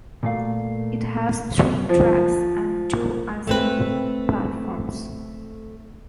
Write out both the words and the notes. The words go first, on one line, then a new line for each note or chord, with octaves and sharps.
It has three tracks and two island platforms.
A#2 A3 F5
F3
A3 C4 B4